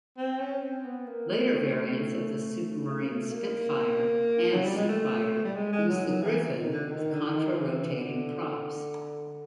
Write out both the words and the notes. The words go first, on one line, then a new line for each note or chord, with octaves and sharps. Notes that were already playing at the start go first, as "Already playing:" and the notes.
Later variants of the Supermarine Spitfire and Seafire used the Griffon with contra-rotating props.
C4
C#4
C4
B3
A#3
A3
A3
A#3
A3
A#3
F#3
G3
G#3
A3
G3
G#3
G#3
F#3
F#3
E3
D#3
D3
D#3
D3
D#3
E3
D3